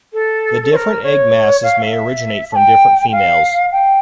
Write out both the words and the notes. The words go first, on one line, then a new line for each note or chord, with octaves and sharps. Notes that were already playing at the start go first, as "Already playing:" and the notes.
The different egg masses may originate from different females.
A4
A4
C#5
A#4
C#5
F5
F5
E5
A5
G5
F5
G5